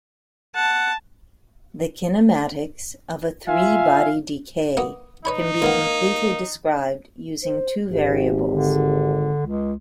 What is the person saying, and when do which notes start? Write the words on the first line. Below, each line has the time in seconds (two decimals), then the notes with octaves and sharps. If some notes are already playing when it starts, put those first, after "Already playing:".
The kinematics of a three-body decay can be completely described using two variables.
0.55 F#5 A5
3.48 F4 E5 F5 G#5
4.77 A#3 B3 D#5
5.25 D#4 B4 C#5 B5
5.62 C#2 D#3 A#3 B3
7.43 C5
7.91 G#1 G4
8.49 D3
9.46 C#2